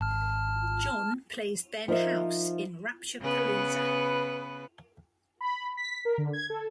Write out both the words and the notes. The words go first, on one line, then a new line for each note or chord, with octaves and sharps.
John plays Ben House in "Rapture-Palooza".
G#1 A5 F6
F3 D#4 A#4 E5
C#3 B3 B4
B5
B6
A#4
D3
G#6
A4